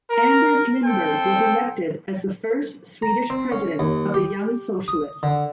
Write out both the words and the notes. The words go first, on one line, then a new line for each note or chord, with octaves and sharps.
Anders Lindberg was elected as the first Swedish president of the Young Socialists.
A#4
C4 A4 C5 G5
A#5
C4
C#4
D#2
G4
D#6
D3